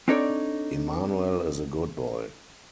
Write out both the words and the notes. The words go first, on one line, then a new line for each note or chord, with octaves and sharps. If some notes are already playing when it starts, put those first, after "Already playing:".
Immanuel is a good boy.
C4 D4 D#4 A4 C#5 D5